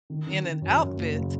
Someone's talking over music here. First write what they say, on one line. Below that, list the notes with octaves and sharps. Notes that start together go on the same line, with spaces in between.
in an outfit
D#3
D#3
D#3
F#2
F#2
F#1
F#1